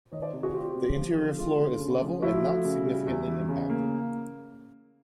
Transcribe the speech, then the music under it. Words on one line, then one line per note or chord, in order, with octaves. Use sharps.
The interior floor is level and not significantly impacted.
D#3 C#5 D#5
C5 D5
C3
F#4 G#4
C4 F4 G4
C3
F3
D3
G#3 F4
D3
C#3
F3
F3 E4 F#4
A3
C#3
G3
E2
E3
C#3
A#3